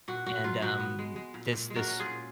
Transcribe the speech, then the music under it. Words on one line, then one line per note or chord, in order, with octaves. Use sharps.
and, um, this this
A#2 F#4
A#2 F#4
F#3 F4
A#2 F#4
B3
G#3
G#3
A#2
A#2
G#3
F#4 A#4
C#4
F4 G#4
A#2